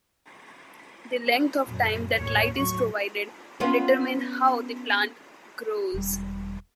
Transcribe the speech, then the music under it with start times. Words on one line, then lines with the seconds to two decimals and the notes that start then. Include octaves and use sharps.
The length of time that light is provided will determine how the plant grows.
1.66 F#2 A#2
2.15 D#2 A2 C#5
2.55 A2 F#3 C#6
3.60 B3 C#4 F4
5.94 E1 G3